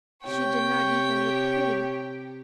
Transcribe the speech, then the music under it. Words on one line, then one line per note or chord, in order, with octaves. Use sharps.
She did not even look pretty!
C3 G4 C#5 G5